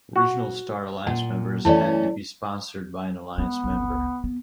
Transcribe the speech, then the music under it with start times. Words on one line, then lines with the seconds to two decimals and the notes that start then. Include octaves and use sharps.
Regional Star Alliance members had to be sponsored by an alliance member.
0.16 F#4
1.07 A#2 F#5
1.65 E3 A3 C#4 E4 D5
3.38 G#3 A3 B3
3.64 G1 C#2
4.24 F2 B3